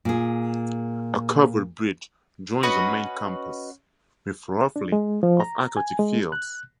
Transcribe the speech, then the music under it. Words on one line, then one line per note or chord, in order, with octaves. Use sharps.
A covered bridge joins the main campus with roughly of athletic fields.
A#2 G#4
C#4 F#4 B4 D#5
D4
G#3
F3
A#5
G#5
G#3
F#6